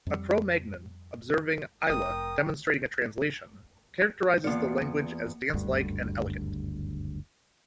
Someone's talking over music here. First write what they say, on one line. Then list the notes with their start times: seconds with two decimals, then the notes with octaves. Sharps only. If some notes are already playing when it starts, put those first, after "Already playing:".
A Cro-Magnon observing Ayla demonstrating a translation characterizes the language as dancelike and elegant.
0.07 F2 G3
1.89 F1 A#4 G5 D#6
4.44 E2 A#3 F4 D5 C#7
5.54 F#1 D2 G2 D3